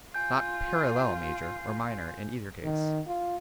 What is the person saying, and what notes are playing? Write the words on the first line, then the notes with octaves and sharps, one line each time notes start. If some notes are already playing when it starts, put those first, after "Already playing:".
Not "parallel" major or minor in either case.
F4 G#5 G6
D#3
F4